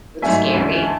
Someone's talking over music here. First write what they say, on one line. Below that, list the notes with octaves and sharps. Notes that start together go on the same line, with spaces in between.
it's scary.
G#2 F#3 A3 E5 G#5
D2 C#3 E3 G#3
A5